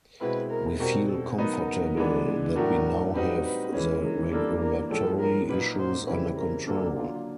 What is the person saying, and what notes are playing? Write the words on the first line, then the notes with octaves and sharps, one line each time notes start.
We feel comfortable that we now have the regulatory issues under control.
B2 G#3 C4 E4 B4
A#4
B2 G3 C4 A#4
A4
F#3 B3 D#4 F#4 A#4
E3 G#3 B3 D4
A2 F#3 A3 D4 F#4 A#4
G3 C4 D#4 F#4 B4
B4
E3 G#3 C#4 B4
A#4
E3 G3 A#3 D4 A4
A#4
A2 F3 G#3 C#4 A4
A#4
A#2 F#3 A#3 D#4 F#4 B4
C5
C#3 E3 G3 C4 E4 B4
A#4
D3 F#3 A#3 D4 A4
F4